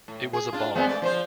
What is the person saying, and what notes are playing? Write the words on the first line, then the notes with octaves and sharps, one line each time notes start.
It was a bomb.
A2
G#4
D4 F4
G#3 B3 C4
A3 D5
F3 B4 C5